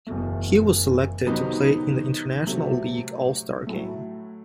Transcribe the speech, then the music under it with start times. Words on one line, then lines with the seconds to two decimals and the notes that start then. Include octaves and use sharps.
He was selected to play in the International League All-Star game.
0.07 F#1 E2 B2 A3
1.27 C3 D#3 F#3 B3 D#4
2.47 C3 F#3 A3
3.67 A2 F#3 A3